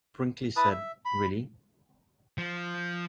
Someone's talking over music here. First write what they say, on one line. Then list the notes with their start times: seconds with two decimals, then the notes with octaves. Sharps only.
Brinkley said, Really?
0.56 E4 B4 A5 D#6
0.71 E5
1.05 B5
2.38 F3